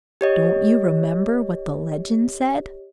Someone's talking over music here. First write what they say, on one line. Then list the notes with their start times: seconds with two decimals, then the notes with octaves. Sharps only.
Don't you remember what the legend said?
0.21 G4 C#5 D#5